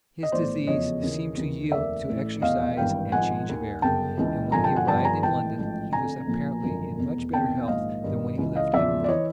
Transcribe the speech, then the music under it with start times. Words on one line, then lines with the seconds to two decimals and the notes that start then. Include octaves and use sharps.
His disease seemed to yield to exercise and change of air; and when he arrived in London, he was apparently in much better health than when he left Edinburgh.
0.23 D#5
0.32 B1 A2 E3 C5 D5
0.67 F1 E2 C#3 F3 C#5 D#5
1.02 D#2 C#3 E3
1.38 D#2 C#3 E3
1.72 F1 D#2 D#3 D5 E5
2.07 A1 A2 E3
2.42 F1 E2 B2 D#5 F5
2.77 G#1 G2 E3 F5 G5
3.12 G#1 G#2 F3 F#5 G#5
3.48 D#2 D#3
3.82 G1 F#2 C#3 G5 A5
4.18 C#2 C#3 E3
4.52 G#1 G2 D3 F3 G#5 A#5
4.64 G5 A5
4.76 F#5 G#5
4.87 G1 G2 D3 F3 G5 A5
5.05 G#5 A#5
5.23 G#1 G#2 E3 G5 A5
5.58 A1 G#2 F3
5.93 F1 F2 D3 G#5 A#5
6.27 A#1 A#2 F3
6.63 G#1 F#2 D3 F3
6.98 F1 E2 B2
7.33 E2 C3 D#3 G5 A5
7.68 A#1 G#2 D#3 D#5 F5
8.04 G#1 G2 D#3
8.38 C#2 C#3 E3
8.55 D#5 F5
8.73 E2 C#3 F3 D5 E5
9.04 D5
9.08 E3 C#5 D#5